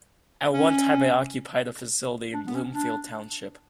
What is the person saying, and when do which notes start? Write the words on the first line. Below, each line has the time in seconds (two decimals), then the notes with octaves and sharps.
At one time it occupied a facility in Bloomfield Township.
0.54 C#4
2.34 D4
2.47 B3
2.55 C#4
2.74 D4